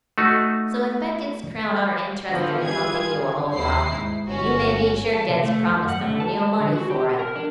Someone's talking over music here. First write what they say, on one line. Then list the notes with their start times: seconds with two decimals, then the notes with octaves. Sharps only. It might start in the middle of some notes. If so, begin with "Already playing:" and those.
"So, if Beckett's crowd are int'rested in bumping you a whole lot, you may be sure Ged's promised 'em real money for it."
0.18 A3 D#4 F#4
2.31 D3 E3 F3 B3
2.63 G3 F4 G#4 G#6
3.13 G2
3.53 D#2 D#4 E4 C7
3.92 G#2
4.27 G1 C#4 F#4
5.13 A5
5.29 C3
5.43 A3
5.70 F#2
5.89 F#5
6.01 A3
6.20 A5
6.60 D3
6.76 F#4
6.90 G4
7.19 A#4
7.36 D4